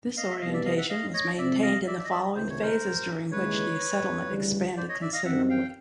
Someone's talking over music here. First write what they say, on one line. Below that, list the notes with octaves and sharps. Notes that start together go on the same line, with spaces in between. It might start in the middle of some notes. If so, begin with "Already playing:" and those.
This orientation was maintained in the following phases during which the settlement expanded considerably.
D#5 F5
E5
C2 B2 G3 B3 D#4 D#5 F5
D5 E5
D#5 F5
E5 F#5
D#5 F5
C#5 D#5
C3 F3 A3 C4 D5 E5
D#5 F5
D5 E5
D5 E5
D#5
D5 E5
C#2 C3 D#3 C5
C#5
A#4 C5
D#2 C#3 E3 G#3 B4 C#5
D2 C#3 E3 G3
C5 D5
C#5 D#5
D5 E5
D#5 F5
F#2 D#3 G3 C4 E5 F#5
F5 G5